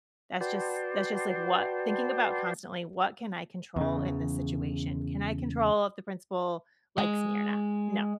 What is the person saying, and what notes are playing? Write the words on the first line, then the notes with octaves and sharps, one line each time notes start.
that's just that's just like, what thinking about constantly, "What can I control in this situation? Can I control if the principal likes me or not? No.
F#4 B4 D5 G5 A5 C6
E2 C#3
G#3